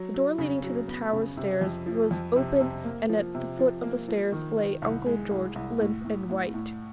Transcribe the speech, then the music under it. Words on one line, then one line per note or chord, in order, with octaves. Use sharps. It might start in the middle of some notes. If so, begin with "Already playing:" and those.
The door leading to the tower stairs was open and at the foot of the stairs lay Uncle George, limp and white.
Already playing: F#3
F#3
C#3
F#3
B3
C#3
C3
F2
F3
F2
C3
C3
A#3
F3
C3
F3
A#3
F3
D#3
D#3
C2
G#3
C2
C2
A2
A2
A2
A2